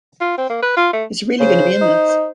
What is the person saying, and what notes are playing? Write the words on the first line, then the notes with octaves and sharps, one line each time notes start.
Is he really going to be in this?
F4
C4
A#3
B4
F4
A3
C#3 C5
D#4